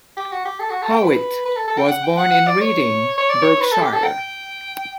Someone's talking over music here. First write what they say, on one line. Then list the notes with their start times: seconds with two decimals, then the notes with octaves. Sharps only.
Howitt was born in Reading, Berkshire.
0.17 G4
0.32 F#4
0.45 G4
0.60 A4
0.70 F#4
0.82 A4
0.92 G5
1.03 B4
1.45 B4
1.57 A4
1.68 A4
1.78 G5
1.88 F#5
2.03 G5
2.17 F#5
2.32 F#5
2.47 D5
2.61 C#5
3.18 C#5
3.30 D5
3.42 C#5
3.61 B4
3.72 A4
3.82 G4
3.93 A4
4.04 G5